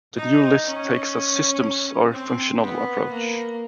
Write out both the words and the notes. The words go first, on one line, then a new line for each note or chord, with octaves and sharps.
The new list takes a "systems" or functional approach.
D#4
C#4
C4
B3
A#3